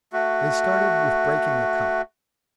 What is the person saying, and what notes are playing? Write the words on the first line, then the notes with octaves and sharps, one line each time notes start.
They started with breaking a cup.
A3 F#4